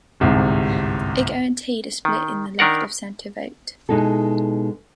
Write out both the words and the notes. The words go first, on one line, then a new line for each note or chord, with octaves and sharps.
It guaranteed a split in the left-of-centre vote.
G1 C2 G#2 C3
D#3
D#3 D4 A#4 F#5
B2 G#3 D#4 E4 A4